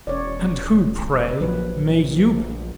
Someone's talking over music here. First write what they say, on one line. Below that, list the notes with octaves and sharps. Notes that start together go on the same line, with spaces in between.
"And who, pray, may you be?"
E1 C#4 C#5 D5
A#1 F3 F#3 B4